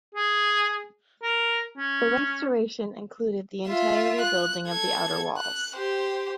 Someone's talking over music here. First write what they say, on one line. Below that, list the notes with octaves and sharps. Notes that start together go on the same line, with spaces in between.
The restoration included the entire rebuilding of the outer walls.
G#4
A#4
C#4
F4 E5
F#6
A4 G#6
F#6
G4 C5